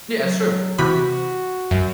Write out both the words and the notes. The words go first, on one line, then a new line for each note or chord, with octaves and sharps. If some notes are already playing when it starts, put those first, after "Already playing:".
Yeah, it's true.
F#3
C3 E3 F#4 B5
F#2